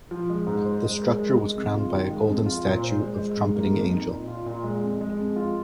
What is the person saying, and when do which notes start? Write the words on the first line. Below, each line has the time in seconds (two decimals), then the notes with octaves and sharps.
The structure was crowned by a golden statue of trumpeting angel.
0.11 F3
0.30 G#3
0.47 G#2
0.65 C5
0.84 G#3
1.02 A#4
1.19 G#3
1.37 G#3
1.56 C3
1.74 F4
1.92 D#3
2.10 G#3
2.28 F2
2.46 F4
2.65 A#2
2.83 C5
3.00 G#3
3.19 G#3
3.37 G#2
3.56 A#3
3.73 F2
3.91 D#4
4.10 A#2
4.28 F4
4.46 A#2
4.64 G#3
4.82 F2
5.01 G#3
5.18 F2
5.36 F4